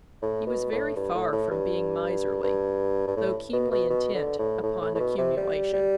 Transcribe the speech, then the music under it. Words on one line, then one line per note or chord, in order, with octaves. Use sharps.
He was very far from being miserly, though keenly intent upon accumulation.
A2
B2
A2
G2
A2
A2
G2
G2
G2
A2
B2
B2
B2
D3
A2
A2
A2
A2
B2
C3
G3
G3